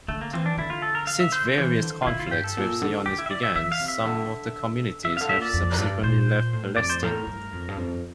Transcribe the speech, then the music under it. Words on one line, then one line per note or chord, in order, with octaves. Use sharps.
Since various conflicts with Zionists began, some of the communities have subsequently left Palestine.
D3 A3
A#3
E3 C4
D4
D3 E4
F4
A4
A#4
F5
E5
C5
C5
E3
D3
F4
D3 E4
F4
G2 G4
A4
A#2
D3
D3 G4
E4
E5
D5
E5
E3 E5
F5
C3
E5
D3
C3 E5
D3 F5
E5
A#2 D5
F2
G2
A#2 C5
A2
F2 D5
C5
A2 A#4
G2
F2
G2
F2